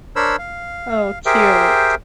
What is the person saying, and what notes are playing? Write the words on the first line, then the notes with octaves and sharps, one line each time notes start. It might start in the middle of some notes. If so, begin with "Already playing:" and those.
Oh, cute.
D4 A#4 C5 C#5 B5 E6
F5
G4 G#4 A#4 C5 E5 G5